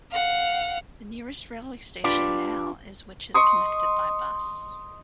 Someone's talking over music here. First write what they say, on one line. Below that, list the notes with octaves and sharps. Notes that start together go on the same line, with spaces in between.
The nearest railway station now is which is connected by bus.
F5 F#5
D4 F4 G4 B4 D5
D#5 C6 C#6 D#6